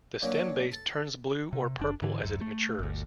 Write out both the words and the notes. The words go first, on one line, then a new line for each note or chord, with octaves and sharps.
The stem base turns blue or purple as it matures.
D3 F#3 A#3 C#4
A4
C3
F#1 D4
G#2 D3 E3
D1 F#2
A3
G1 D2